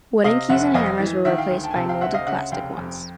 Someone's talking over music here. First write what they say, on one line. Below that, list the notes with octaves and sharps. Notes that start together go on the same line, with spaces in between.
Wooden keys and hammers were replaced by moulded plastic ones.
C3 D#5 F5
F1 E5 F#5
F2 D#5 F5
E3
D#3 E5 F#5
F5 G5
D2
G5 A5
G#5
C3 G5 A5
F5 G5
D2 E5 F#5
D#5 F5
C#3 E5 F#5
F1 F5 G5
F2